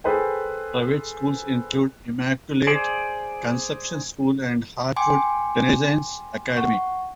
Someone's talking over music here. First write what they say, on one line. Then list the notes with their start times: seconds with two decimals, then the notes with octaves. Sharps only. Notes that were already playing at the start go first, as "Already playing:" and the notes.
Private schools include Immaculate Conception School and Heartwood Renaissance Academy.
0.04 G#4 A4 B4 C5 G5
2.67 G#4 C5 D5
4.96 G5 G#5 C6 D6
6.57 F#5 C#6